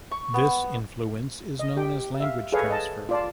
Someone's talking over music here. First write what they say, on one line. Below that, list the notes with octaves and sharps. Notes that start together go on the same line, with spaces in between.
This influence is known as "language transfer".
C#6
B3
D#5
G4 G5
E5 F5
G#4 A4 B4 C#5 F5
D#5 A5
F4 D5 A5